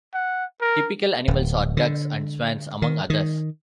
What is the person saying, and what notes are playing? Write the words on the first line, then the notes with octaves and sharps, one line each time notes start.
Typical animals are ducks and swans among others.
F#5
A#4
D1
D3
D#3
D#3